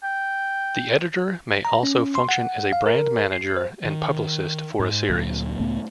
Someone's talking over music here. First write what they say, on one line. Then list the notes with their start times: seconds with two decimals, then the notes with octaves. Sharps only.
The editor may also function as a brand manager and publicist for a series.
0.04 G5
1.65 A#5
1.83 C#4
2.15 C6
2.29 F#5
2.73 F5
2.86 A#4
3.32 C7
3.57 C5
3.85 D#3
4.80 G#2
5.10 D2 A#2 F#3
5.60 C#2 A2 A3 B3